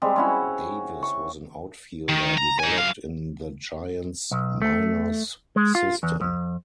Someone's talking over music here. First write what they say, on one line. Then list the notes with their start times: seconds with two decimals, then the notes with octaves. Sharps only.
Davis was an outfielder developed in the Giants minors system.
0.02 G3 G#3 C4
0.16 C#4 E4 F#4
1.03 C#6
2.09 D#3
2.37 A#5
2.59 D#4 G#5
2.77 F#2 F5
4.31 B1
4.62 A3
5.56 G#3
5.75 F4
6.03 E2
6.21 F2